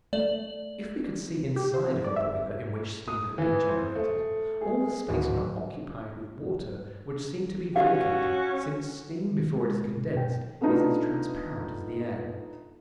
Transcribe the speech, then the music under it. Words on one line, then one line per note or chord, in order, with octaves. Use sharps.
If we could see inside of a boiler in which steam had been generated, all the space not occupied with water would seem to be vacant, since steam before it is condensed is as transparent as the air.
A3 D5 F#7
G4
C5
C3
D5
E5
G1
D#6
E3
C5
A3
G#4
D1
C#4 F#4 G4 F5
D#3
G#3
B2
G5
A3 B3 D4 D#4 F4